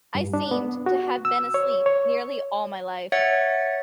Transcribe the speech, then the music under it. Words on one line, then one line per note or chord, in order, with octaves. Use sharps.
I seemed to have been asleep nearly all my life.
G2
D4
B3
F#4
E6
C#5
C#5
C#5 E5 F#5 A6 C#7